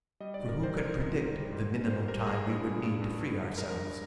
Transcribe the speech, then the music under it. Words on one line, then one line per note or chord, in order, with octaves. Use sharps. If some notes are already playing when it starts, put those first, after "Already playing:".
For who could predict the minimum time we would need to free ourselves?
G3 D#5
D5
G#2
A#4
G3 C5
G3 A#4
G#2
G#2
G3
G#2
G#2
G3 C5
G3 A#4
G3 G#4
G2
G2
G2
G2
G2
G2
G#3 A#4
G2